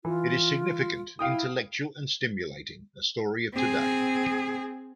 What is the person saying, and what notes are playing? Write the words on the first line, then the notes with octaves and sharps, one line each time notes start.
It is significant, intellectual and stimulating--a story of today.
E3 F4
E4 F5 G5 D#6
C4 G#4